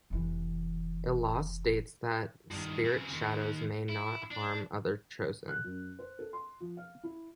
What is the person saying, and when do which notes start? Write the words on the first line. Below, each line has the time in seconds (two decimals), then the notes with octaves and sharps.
A law states that Spiritshadows may not harm other Chosen.
0.10 F1 E3
2.51 G2 D#3
2.84 C#3 C4
3.12 D#2
3.89 E4
4.31 D4
5.48 F#6
5.64 F#2
5.99 C5
6.19 A4
6.33 C6
6.60 F3
6.77 F5
7.03 E4